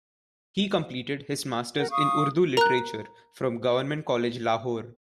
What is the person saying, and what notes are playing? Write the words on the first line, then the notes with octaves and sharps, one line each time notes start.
He completed his Masters in Urdu literature from Government College Lahore.
A#4 F#5
F5 C#6 D#6
A#4 A#5 F#6